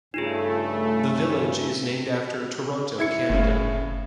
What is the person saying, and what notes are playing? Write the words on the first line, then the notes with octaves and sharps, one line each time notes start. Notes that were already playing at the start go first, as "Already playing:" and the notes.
The village is named after Toronto, Canada.
G2 C#3 A3 D#4 F4 G#4
E4 G#6 C#7
F#1 A2 C#3